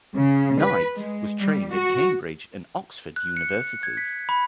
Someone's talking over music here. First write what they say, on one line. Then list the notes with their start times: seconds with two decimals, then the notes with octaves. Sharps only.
Knight was trained at Cambridge and Oxford universities.
0.15 C#3
0.60 B4
0.96 G#3
1.39 G3
1.73 F#4
3.16 F#6
3.37 C#7
3.83 G#6
3.97 B6
4.29 B5